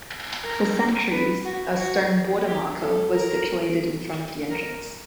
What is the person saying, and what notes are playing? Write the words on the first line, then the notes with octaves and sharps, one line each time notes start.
For centuries a stone border marker was situated in front of the entrance.
A#4
B4
F#4
F#4
G4
A4
A#4
A#4